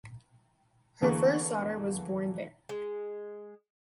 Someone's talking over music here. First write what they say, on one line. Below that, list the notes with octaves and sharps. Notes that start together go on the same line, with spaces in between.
Her first daughter was born there.
E2 D3 E3 A#3 G#4 C#6
G#3